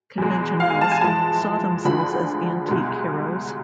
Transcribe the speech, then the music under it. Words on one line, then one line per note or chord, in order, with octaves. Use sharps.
"Conventionels" saw themselves as antique heroes.
E2 B2 G#3
F5
G#5
A5
G#5
F2 E3 G#3 A5
D2 D3 F3 G#3 B5
C2 B2 G#3